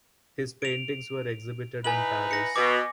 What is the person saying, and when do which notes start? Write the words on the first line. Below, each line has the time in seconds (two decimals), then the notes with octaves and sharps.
His paintings were exhibited in Paris.
0.62 D7 F7
1.84 D#4 E4 B4 G#5 F#7
2.31 A#6 C#7
2.56 B2 D6